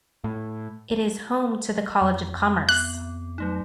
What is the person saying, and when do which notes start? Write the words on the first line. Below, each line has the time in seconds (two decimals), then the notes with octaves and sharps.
It is home to the College of Commerce.
0.24 A2
2.01 F2
2.69 B3 F#6
3.38 F#3 A3 D#4